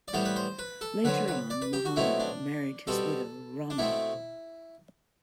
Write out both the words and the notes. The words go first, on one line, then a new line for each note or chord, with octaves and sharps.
Later on Muhammad married his widow, Ramlah.
D5
A2 E3 G3 B3 C5
B4
C5
B4
A4
D3 F#3 C4 B4
B4
D5
B4
G4
F#4
B2 F#3 A3 C4 E4
D4
B2 G3 C4 A4
D4
B2 A3 C4 E4